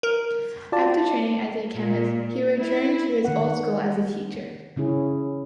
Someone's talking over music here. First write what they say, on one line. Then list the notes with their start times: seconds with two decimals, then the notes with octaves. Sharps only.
After training as a chemist, he returned to his old school as a teacher.
0.03 A#4
0.72 F4 F#4 D5 A5
1.73 A#2
2.58 E4
3.24 D#3 F#5
4.76 C#3 C#4 E4 G#4